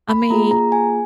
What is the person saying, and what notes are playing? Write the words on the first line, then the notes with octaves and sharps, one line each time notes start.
I mean,
B5
A#3 F4 G#4 A#5
A#5
G#5